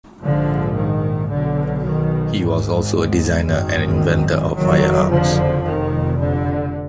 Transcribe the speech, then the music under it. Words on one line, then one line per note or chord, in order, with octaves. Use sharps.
He was also a designer and inventor of firearms.
A#1 G#2 D3 F3
D#3
B1 B2 D3
D#3
G#1 G#2
G#1 F#2 D#3
F#1 F2 D#3 F#3
D3 F3
F1 F2 D#3
D3